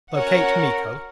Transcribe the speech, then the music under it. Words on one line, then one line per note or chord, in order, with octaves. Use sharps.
Locate Miko.
C#4 F#4 A#4 C#5 F#5